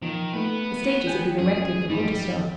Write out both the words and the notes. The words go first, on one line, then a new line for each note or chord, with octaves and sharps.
The stages had been erected for quarter-staff.
D#3 F3
A3 B3 B4
G5 G#5 G6
F#2 G#4
G#2 F3 G3